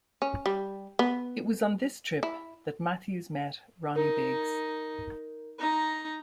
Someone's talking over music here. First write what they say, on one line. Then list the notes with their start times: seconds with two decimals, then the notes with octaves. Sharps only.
It was on this trip that Matthews met Ronnie Biggs.
0.22 C#4
0.46 G3
0.99 B3
2.23 E4
3.96 D#4 A#4
5.59 D#4 A#5